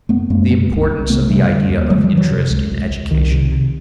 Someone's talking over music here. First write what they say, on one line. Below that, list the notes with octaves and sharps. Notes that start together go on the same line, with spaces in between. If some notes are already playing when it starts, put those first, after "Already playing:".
The Importance of the Idea of Interest in Education.
F#2 A3 B3
F#2 G#3 A#3
C#3
C2
C2
C3 A3 B3
G#3
C3 G3 A3
D3
D#2
D3 F#3 G#3
F3 G3
D3
E3 F#3
C3
C#2
C#2
C#2
C2 D#3
C3
C3